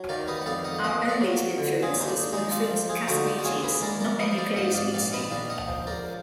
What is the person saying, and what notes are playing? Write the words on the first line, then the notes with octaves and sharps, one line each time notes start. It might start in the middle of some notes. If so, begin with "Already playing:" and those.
Our earliest influences were the films of Cassavetes, not any plays we'd seen.
Already playing: F#3
D#3 D5 F5
B4 D#5
F#5
F2 D5 F5
D#5 F#5
A#3 D#5 F#5
D5 F5
F#3
D3
F4 G#4
D#2 D#4
D4
G#3 D#4
D4 F4
F3
F4 G#4
D3 D#4 F#4
D4 F4
F#4
D#2 F4 G#4
G#4 B4
G#3 A#4 D5
A#4 D5
F3 B4 D#5
D5 F5
G#2 D#5 F#5
D5 F5
A#1 D5 F5
B4 D#5
A#1 D5 F5
D#5 F#5
F3
A#4 D5